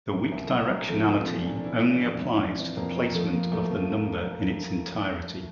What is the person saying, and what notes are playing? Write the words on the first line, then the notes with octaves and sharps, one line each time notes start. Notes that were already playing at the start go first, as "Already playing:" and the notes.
The weak directionality only applies to the placement of the number in its entirety.
C2 A#3
C2
C2
C2
F3 A3
F3
C4
A#2
D4
A#2
D4
E3 E4
G1
D4
F2
C4
G1
G1 D4
E3 C4
F2 A#3
F2 A#3
A#3
F3 A3
F3 A#3
C2 A3
F3 A#3
F3 A#3